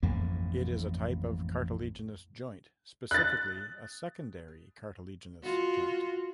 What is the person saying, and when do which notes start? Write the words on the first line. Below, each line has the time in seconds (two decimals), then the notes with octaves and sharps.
It is a type of cartilaginous joint, specifically a secondary cartilaginous joint.
0.03 A1 F2 G#2 A#3
3.11 F#6 A6
5.43 F4 F#4